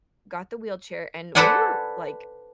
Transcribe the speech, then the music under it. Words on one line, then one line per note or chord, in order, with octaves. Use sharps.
got the wheelchair, and we were, like
A4 B4 C5 D5 F#5 G#5